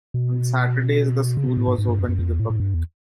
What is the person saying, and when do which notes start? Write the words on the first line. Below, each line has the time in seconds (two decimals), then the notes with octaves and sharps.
On Saturdays, the school was open to the public.
0.14 B2
1.37 C#3
1.47 B2
1.57 A2
1.68 G#2
1.78 G#2
1.89 G2
1.99 F#2
2.09 F#2
2.19 F2
2.29 E2
2.39 A2
2.50 A2
2.55 G#2
2.60 G2
2.74 E2